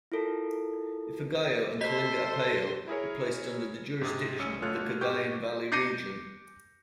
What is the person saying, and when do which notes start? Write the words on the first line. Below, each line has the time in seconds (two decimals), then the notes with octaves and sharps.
Ifugao and Kalinga-Apayao were placed under the jurisdiction of the Cagayan Valley region.
0.12 E4 F4 A4 A#4
1.81 F#4 A4 C5 D#5 B6
2.88 E4 G#4 A#4 C#5
4.02 G#2 C3 D#6
4.39 C2 C#4 D#6 E6 C#7
4.62 G1 A3 F4 C#5 F6 F#6
5.01 G#2 G4 C#6 G6
5.72 D6 G6 A#6 C7 C#7 D#7